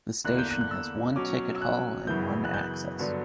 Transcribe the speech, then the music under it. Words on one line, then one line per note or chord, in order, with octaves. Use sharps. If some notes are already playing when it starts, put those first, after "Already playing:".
The station has one ticket hall and one access.
E2 D3 A#3 E4 F#6
G6
F#6
F#6
E6
B2 F#3 C#4 D6
E6
F#6
F#2 C#3 E3 B3 E4 G6
F#6
G6
G2 D3 F#3 B3